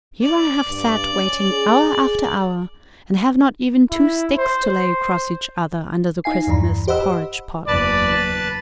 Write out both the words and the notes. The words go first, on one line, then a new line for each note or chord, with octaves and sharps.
"Here I have sat waiting hour after hour, and have not even two sticks to lay across each other under the Christmas porridge-pot."
D5
G2
C#4
G#4
E4
C5
C5
D#4 F5 G#5 C7
E2 G2 E3 A#5 B5
G4 C5 D#5 F#5 B5 E6
F#1 E2 B4 D5 A5